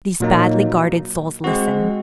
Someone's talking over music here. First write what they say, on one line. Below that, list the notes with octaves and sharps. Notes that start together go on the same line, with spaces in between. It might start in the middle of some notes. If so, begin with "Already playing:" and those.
These badly guarded souls listen.
A#2 F#3 A#3 D#4
G#3 C4 F#4